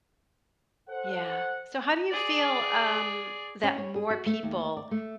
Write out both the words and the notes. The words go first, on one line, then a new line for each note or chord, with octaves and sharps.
Yeah. So, how do you feel um that more people
A4 C5 F#5
G#4 D5
C#4
C#5
G#4
F#4
A3
D#2
D5
A3